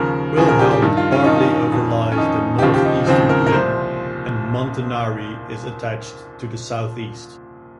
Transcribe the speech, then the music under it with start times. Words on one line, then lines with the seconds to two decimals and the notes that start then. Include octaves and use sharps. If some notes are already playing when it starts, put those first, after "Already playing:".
Wilhelm partly overlies the northeastern rim, and Montanari is attached to the southeast.
Already playing: D#2 C#3 F3 A#4
0.37 D#2 C#3 F3 G#4
0.48 A#4
0.59 G4
0.71 G4
0.82 G2 D#3
0.97 F4
1.12 C#4
1.24 G2 D#3 D#4
1.36 C#4
1.72 F2 D#3
2.12 C#4
2.17 F2 D#3 D#4
2.59 G4
2.62 D#2 C#3 F3 F4
2.74 G4
2.85 D#4
3.07 D#2 C#3 F3 C4
3.29 A#4
3.46 A#4
3.52 C2 A#2 F3 C5